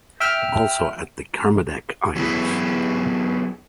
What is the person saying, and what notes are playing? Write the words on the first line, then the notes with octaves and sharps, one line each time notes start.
Also at the Kermadec Islands.
E5 G5 F6
F#3 B3 E4 G#4